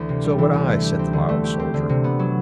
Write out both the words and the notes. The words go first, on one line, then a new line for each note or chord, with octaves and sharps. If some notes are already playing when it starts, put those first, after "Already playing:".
"So would I," said the loud soldier.
Already playing: D2 E3
C3
G3
E3
D2
A3
G4
C4
D3
A3
G4
C4
D3
C3
B3
F#3